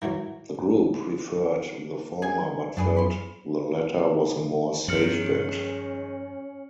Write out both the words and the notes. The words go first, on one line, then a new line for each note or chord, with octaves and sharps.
The group preferred the former but felt the latter was a more safe bet.
D#3 E3 F#3 C#5
G#4 G#5
F#2 D4 G#4 B4
B5 C6
G2 D#3 F3 G#3 C#4 F6 C#7 F#7